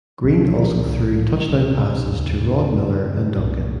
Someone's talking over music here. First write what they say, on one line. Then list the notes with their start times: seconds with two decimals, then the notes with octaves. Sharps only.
Green also threw touchdown passes to Rod Miller and Duncan.
0.24 C#2 C3 F#3
0.40 G3
0.50 G3
0.55 F#3
0.71 F3
0.86 C2 A#2 D#3
1.02 D#3
1.18 F3
1.34 G3
1.49 C#2 B2 F#3
2.12 D#2 C#3
2.75 F#2 C#3
3.38 C2 A#2